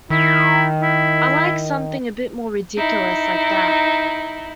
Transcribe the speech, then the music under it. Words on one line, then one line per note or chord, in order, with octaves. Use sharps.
I liked something a bit more ridiculous like that.
D#3 E4
E4
D#4 E4